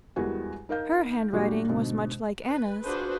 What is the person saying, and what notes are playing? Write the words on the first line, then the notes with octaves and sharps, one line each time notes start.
Her handwriting was much like Anna's.
E2 G3 G#3 F#4 A#4 G#5
D#4 A#4 F5 G6
A#2 F#3 G3 D4 F#4 G4
G#2 B2 D3
B4
D4 F4 F#4 G#4 B4 C5